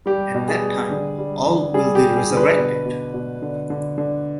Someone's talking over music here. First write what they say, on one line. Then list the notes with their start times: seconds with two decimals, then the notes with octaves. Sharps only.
At that time, all will be resurrected.
0.06 G3 G4
0.35 B2
0.48 G#4
0.62 G3
0.90 D3
1.18 G3
1.46 D3
1.74 G3 G#4
1.95 G4
2.02 G3
2.17 G#4
2.30 D3
2.37 B4
2.58 B2
2.85 B2
3.14 B2
3.42 D3
3.70 D3
3.98 D3